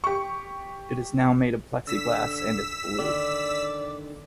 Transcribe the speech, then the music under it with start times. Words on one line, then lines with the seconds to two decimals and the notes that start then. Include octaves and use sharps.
It is now made of plexiglass and is blue.
0.04 G4 C#6
1.87 D3 E6 B6
2.99 D3 D#3 D4 D5